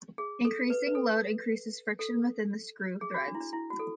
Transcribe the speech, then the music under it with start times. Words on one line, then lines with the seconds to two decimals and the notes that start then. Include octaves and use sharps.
Increasing load increases friction within the screw threads.
0.18 G#4
0.45 A4
0.70 B4
0.87 B4
0.95 A4
1.99 A4
3.01 G#4
3.14 F#4
3.28 D4
3.35 E4
3.40 D4
3.53 E4
3.70 F#4
3.79 A4